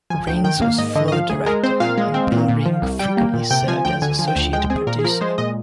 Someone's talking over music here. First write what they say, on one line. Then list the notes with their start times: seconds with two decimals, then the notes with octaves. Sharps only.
Rains was floor director and Bill Ring frequently served as associate producer.
0.10 F3 G#5
0.27 D2 G5
0.44 D#3 G5
0.62 A#3 F5
0.78 G#2 D#5
0.95 D3 D#5
1.08 D#5
1.12 F3 F5
1.29 D2 G#4
1.46 G#3 A#4
1.63 C4 C5
1.80 A#2 F5
1.98 G#3
2.14 C4
2.32 A#2
2.49 A#2
2.65 F3
2.82 C2
2.99 G3 G5
3.17 A#3
3.34 A#2
3.51 C3 G5
3.68 F3 G#5
3.85 D2 G5
4.02 D3 G#5
4.19 F3
4.28 G5
4.36 D2
4.53 G#3 G5
4.70 C4 G#4
4.87 A#2 A#4
4.99 G#4
5.04 F3 A#4
5.21 G#3 C5
5.38 A#2 D#5